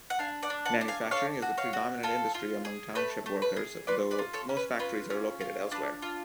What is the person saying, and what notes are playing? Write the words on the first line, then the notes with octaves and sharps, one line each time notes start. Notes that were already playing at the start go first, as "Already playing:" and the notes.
Manufacturing is the predominant industry among township workers, though most factories are located elsewhere.
F#5
D4 F5 G#5
D5 F#5
D4
F#5 A5
D4
F5 G#5
A4 C#5 F5
F#4
C#5 F5
F#4
F4 A4
F4
G#4
A3 B4
A3
B4
G#4
F4 B4 D5
B4 D5
F4
A4 C#5
C#4
B4
F4 B4
C#4
F4
D4 B4
F4